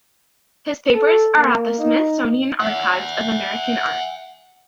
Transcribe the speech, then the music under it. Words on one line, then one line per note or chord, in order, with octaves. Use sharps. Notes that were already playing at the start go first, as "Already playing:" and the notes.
His papers are at the Smithsonian Archives of American Art.
A4
A#3
D#4
E5 F#5